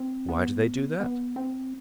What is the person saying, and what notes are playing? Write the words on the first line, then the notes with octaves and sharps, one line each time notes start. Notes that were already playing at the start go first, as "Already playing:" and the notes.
"Why do they do that?"
Already playing: C4
B3
B3
C4